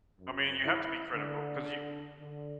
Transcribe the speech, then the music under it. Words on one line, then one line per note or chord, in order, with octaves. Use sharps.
I mean, you have to be critical, 'cause you
F#2
E4
D3
D3